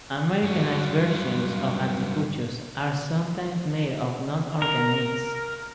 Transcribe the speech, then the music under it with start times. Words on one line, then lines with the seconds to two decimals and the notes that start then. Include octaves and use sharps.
Americanized versions of anticuchos are sometimes made of non-organ meats.
0.43 G2 F#3
4.62 A#4